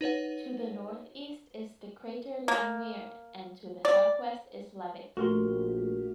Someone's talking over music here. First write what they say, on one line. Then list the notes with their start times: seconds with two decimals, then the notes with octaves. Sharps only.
To the northeast is the crater Langmuir and to the southwest is Leavitt.
0.01 D#4 B4 C#5 F#5
2.48 A#3
3.85 D5
5.17 A#1 A3 F#4 G4 A#4 C6